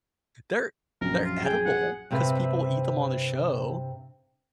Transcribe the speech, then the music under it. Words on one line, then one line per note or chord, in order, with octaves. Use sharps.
they're they're edible 'cause people eat them on the show.
A#1 F#2 A#4
F4
G#4 G5
F#5
G2 C3 C4 B4 E5